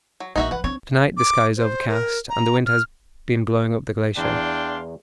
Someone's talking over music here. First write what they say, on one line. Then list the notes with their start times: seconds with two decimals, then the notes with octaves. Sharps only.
To-night the sky is overcast and wind has been blowing up the glacier.
0.20 F#3
0.36 A#1 A#3 D#4 F#4 E5
0.51 E3 B4 F#5
0.64 C4 D4 C#5
1.17 D6
1.57 C5
1.89 A#4
2.29 A#5
2.66 F6
4.17 E2 D4 F5 G5 A#5 C6